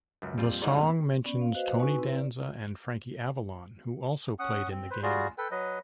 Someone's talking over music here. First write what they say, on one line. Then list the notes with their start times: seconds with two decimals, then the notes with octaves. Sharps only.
The song mentions Tony Danza and Frankie Avalon, who also played in the game.
0.22 C#2 F#2
0.38 F2 A#2 G3 F4
0.62 D2 G#2 D5
0.76 F#2 B2 A#3
1.24 B3 C#4 D5
1.41 F5
1.55 F#4 B4 C5 D#5 F5
1.79 D#4 F#4 B4 G#5 C#6
1.98 C4 E4 B4
2.14 D5
4.39 C#4 F#5 D#6
4.71 C4
4.90 B4 C5
5.03 G3 F4 F#4 G#4
5.38 A4 B4 G5
5.51 F#3 B4 D#5